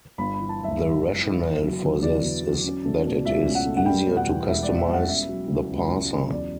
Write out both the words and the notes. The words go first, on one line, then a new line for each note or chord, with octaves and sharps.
The rationale for this is that it is easier to customize the parser.
G1 B5
E3 B5
A5
F#2 E5
G1 E5
G1
E3
B3
F#3
D3
E2 D5
B3
F#3
C#4
A3
B2
C#2 E5
C#4
F#5
A3
F#5
G3 G5
B2
F#5
E2
E1 E5
D5
G3
E5
B2
F#5
C#4 E5
F#3
C#3
C#2
C#4
F#3
E2 D5